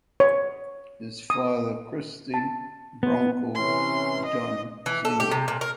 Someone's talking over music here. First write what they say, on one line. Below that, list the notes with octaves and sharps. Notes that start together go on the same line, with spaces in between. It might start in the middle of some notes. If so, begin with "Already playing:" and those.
His father Christy "Bronco" Dunne Snr.
C#5
D#6
A5
B3
C3 E3 C#4 C6
D#5
E3
A4
G4
C3
A#2
A#4